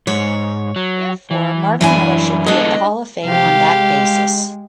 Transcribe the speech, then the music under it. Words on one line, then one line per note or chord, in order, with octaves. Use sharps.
Therefore Marvin Miller should be in the Hall of Fame on that basis.
G#2 C#5
F#3
E3
F#2 E3 D4 E4 G#5
G#3 B3 D4 A4 D#5
C3 F3 G4 F5
G#3